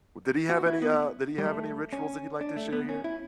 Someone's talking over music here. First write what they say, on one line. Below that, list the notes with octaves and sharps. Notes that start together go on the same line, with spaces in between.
W did he have any, uh, did he have any rituals that you'd like to share here?
F#4
E4
B3
G3
A3
C#4
D4
A3
B3
C#4
E4